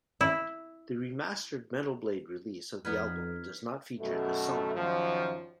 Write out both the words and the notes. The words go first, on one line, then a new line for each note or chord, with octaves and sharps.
The remastered Metal Blade release of the album does not feature this song.
E4
F2 B3 D#4 B4 F6 G#6 B6
F#2 B2 A3
F#2 D#3 F3